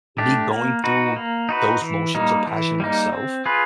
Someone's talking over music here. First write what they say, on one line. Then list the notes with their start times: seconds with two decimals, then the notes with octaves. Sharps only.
me going through those motions of passion myself
0.18 A3 D4 G4
0.51 A#3
0.84 D#4 F#4 B4
1.16 A#3
1.49 D#4 F#4 B4
1.82 E3
2.15 G3 A#3 D#4
2.47 E3
2.80 G3 A#3 D#4
3.13 C4
3.46 F4 G#4 B4